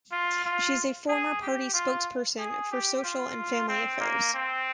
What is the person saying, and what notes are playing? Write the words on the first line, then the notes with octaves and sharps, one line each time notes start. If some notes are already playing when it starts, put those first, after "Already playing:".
She is a former party spokesperson for Social and Family Affairs.
F4
F4
G#4
G4
F4
G#4
G4
F4
C4
A#3
C4